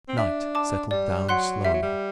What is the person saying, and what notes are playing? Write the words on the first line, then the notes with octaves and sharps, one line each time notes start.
Night settled down slowly.
C4
D4 E5
A5 D6
G3 D5
F#3 F#5 C6 F#6
G3 E5
F#3
G3